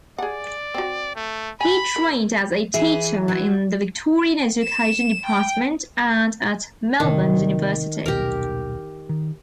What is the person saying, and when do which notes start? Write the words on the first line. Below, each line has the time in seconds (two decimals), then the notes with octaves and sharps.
He trained as a teacher in the Victorian Education Department and at Melbourne University.
0.18 G#4 D5 F#5
0.74 C4 F#4
1.16 A3
1.61 G#5 B5
1.96 A#4
2.74 E3 G#4 E5
3.28 F#3
4.62 E7
5.26 G5
7.00 A1 A2 C3 D#3
8.06 D#1 B1 G4 A#4
9.09 D#3